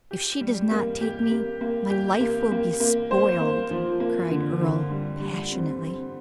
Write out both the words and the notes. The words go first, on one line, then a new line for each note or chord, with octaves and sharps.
"If she does not take me, my life will be spoiled!" cried Earle, passionately.
G4
G3
A#3
G4
A#3
A#3
G4
A#3
A#3
A#3
C5
A#3
F3
A#3
D3
D3
G3
G3
C4
C4